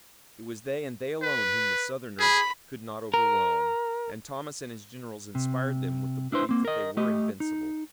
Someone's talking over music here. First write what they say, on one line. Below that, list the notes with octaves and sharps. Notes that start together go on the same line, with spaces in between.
It was they and they alone whom the Southerners could not overwhelm, and Thomas and his generals inspired them with the belief that they were invincible.
B4
G#4 B5
A#4
C3
D4 E4 B4 C5
A#3 C4
A#4 D#5
A3 G4 D#5
D#4